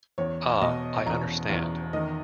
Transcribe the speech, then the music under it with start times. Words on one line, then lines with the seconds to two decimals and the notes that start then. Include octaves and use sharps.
Ah – I understand!
0.18 E2 C#5
0.61 B2 D#5
1.06 E2 A#5
1.49 E2
1.93 D#3 D#5